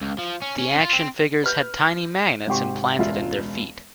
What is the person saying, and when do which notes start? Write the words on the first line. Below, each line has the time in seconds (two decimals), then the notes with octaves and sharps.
The action figures had tiny magnets implanted in their feet.
0.02 C#2
0.19 F3
0.42 C#4
0.58 C#4
0.80 F4
0.93 C4
1.44 B4 F6 G6
2.47 G#1 G#2 C3 G4 C6 C#6
2.99 E1 C#2 F4 E5